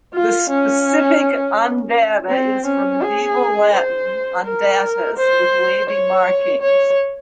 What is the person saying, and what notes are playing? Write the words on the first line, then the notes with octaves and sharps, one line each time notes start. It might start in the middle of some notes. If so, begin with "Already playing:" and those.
The specific "undata" is from Medieval Latin "undatus", "with wavy markings".
F4
C#4
C4
C#4
G#4
C5
A#4
C5
C#5
C#5